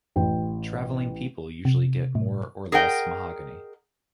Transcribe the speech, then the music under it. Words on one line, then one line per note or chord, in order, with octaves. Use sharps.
Travelling-people usually get more or less mahogany.
A1 G5
C3
A2
G#4 A#4 D#5 F#5 G5